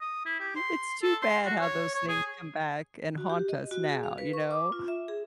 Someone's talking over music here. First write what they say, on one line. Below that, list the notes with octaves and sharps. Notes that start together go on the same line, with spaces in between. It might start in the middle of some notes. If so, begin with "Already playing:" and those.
It's too bad how those things come back and haunt us now, you know?
D#6
E4
G4
C6
A4
C6
F#4
C#5
C#5
G#4
F#4
G4
D#5
F#4
G#4
F5
B4
C#6
D6
F4
E5
G#4